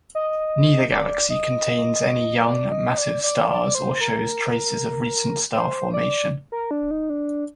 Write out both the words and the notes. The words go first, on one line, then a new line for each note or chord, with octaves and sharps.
Neither galaxy contains any young, massive stars or shows traces of recent star formation.
D#5
D5
D#5
D5
D#5
D5
D5
D5
C5
A#4
C5
D5
A#4
D4
D#4
D4